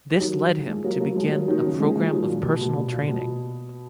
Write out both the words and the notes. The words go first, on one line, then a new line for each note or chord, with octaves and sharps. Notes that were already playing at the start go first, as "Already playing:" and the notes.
This led him to begin a program of personal training.
D#3 F#3
F3 G#3
F#3 A#3
F#3 A#3
F3 G#3
F#3 A#3
D#3 F#3
C#3 F3
F3 G#3
F3 G#3
D#3 F#3
A#2
B2
B2
A#2
B2
A#2
B2